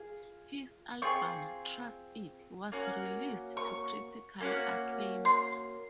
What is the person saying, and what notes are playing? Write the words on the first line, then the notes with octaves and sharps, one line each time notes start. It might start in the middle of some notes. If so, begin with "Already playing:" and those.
His album "Trust It" was released to critical acclaim.
Already playing: F4 G#4
C4 F4 G#4 C#6
A#3 C#4 F#4
C#6
A#3 C#4 F#4
C6